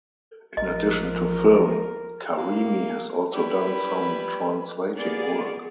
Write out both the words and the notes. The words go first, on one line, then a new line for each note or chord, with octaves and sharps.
In addition to film, Karimi has also done some translating work.
A1 F3 A#4 D#5
A#3
G3 E4 B4
A#3 B3 G#4 D5